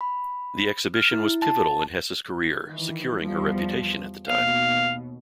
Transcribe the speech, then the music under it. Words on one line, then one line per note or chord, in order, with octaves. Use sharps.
The exhibition was pivotal in Hesse's career, securing her reputation at the time.
B5
F6
E4
A5
D#3 E3
E2 F3 G3
D#2 B2 F5